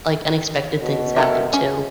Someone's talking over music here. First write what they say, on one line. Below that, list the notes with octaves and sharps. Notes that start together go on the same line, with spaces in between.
like, unexpected things happen, too.
B2
A4 A#4 E5
C#4